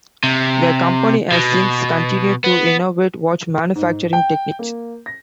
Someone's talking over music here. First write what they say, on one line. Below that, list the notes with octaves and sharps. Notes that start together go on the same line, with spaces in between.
The company has since continued to innovate watch manufacturing techniques.
C3
B2
B3
G#2
G5
A#3
A#6